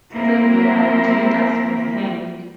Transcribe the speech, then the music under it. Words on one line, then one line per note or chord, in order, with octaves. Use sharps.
Several leaders were hanged.
A#3 C4 E4 A#4